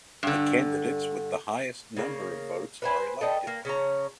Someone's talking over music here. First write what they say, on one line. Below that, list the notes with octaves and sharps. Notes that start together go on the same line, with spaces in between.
The candidates with the highest number of votes are elected.
G2 D3
C#3 A#3
B4 C5 G#5
A4 D#5 G5
A#3
C#3 C#4 A5 A#5